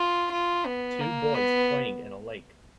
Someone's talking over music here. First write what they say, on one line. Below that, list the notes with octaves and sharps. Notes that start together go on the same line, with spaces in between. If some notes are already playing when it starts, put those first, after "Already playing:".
Two boys playing in a lake.
Already playing: F4
F4
B3
A#3
B3